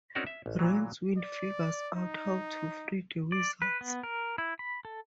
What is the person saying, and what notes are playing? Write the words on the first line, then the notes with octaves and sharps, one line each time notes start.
Rincewind figures out how to free the wizards.
C4 C#4 D#4 F#4 A#4 D5
E5
A1
A#2 E3 F#3
D5
D#4
D5
B4
B3
A#4
E4
B5
A4